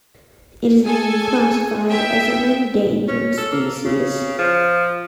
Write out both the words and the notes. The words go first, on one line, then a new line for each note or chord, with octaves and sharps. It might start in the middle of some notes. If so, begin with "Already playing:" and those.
It has been classified as an endangered species.
G#4 A4 G#5
B3 E5 G5
C#4
A4
A#3
C#3
F3